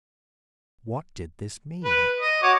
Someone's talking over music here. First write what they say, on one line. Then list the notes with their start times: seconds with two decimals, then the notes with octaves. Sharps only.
What did this mean?
1.84 B4
2.20 D#5
2.42 F#4 C#5 D6